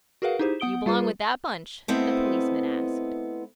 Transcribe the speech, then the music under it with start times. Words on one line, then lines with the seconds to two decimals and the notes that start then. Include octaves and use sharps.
"Do you belong with that bunch?" the policeman asked.
0.22 F#4 G#4 A#4 B4 F5 F#5
0.39 D#4 E4 G4 G#4 C5
0.60 B3 F#5 D#6 D7 G7
0.86 G3 F4 G#4 B4
1.88 A3 B3 C4 E4 D#5